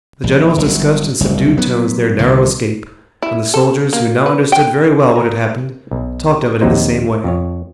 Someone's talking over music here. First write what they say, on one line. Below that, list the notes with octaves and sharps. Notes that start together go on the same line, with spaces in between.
The generals discussed in subdued tones their narrow escape, and the soldiers, who now understood very well what had happened, talked of it in the same way.
A#1
G1 F#3
F#1 C2
F#3 B3
C2 D3 D#3
E4
A4
A#3
B4
G5
A#4 G#5 A#5
B1
A#1 D#2 C3 F#3 D#4 C5
F2 C#5